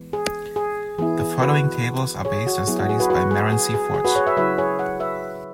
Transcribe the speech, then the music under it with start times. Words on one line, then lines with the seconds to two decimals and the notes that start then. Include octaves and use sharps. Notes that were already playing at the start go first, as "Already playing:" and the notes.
The following tables are based on studies by Marron C. Fort.
Already playing: E3 G#3 B3
0.13 G#4
0.56 G#4
0.98 E3 B3 E4 G#4
1.19 G#4
1.41 F#4 B4
2.25 G#4 C#5
2.47 F#4
2.67 F#3 B3 E4 G#4
2.79 F#4
2.89 G#4
3.00 F#4 B4
3.10 F#4 B4
3.31 G#4
3.52 G#4
3.74 G#4
3.94 G#4
4.05 F#4 B4
4.15 G#4 C#5
4.27 B4 E5
4.37 C#3 F#3 E4 B4 E5
4.58 G#4 C#5
4.79 C#5 F#5
5.00 B4 E5